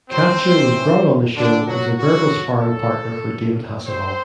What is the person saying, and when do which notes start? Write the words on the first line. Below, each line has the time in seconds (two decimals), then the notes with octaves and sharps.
Kapture was brought on the show as a verbal sparring partner for David Hasselhoff.
0.09 A2 F#3 C4 C5
0.73 F#2 E3
1.35 B2 D3 F#3 D4
1.66 F#3 F#4
1.97 G2 E3 F#3 F#4
2.60 A2 F#3 A3 A4
3.23 F#2 F#3
3.85 G2 F#3 C4 C5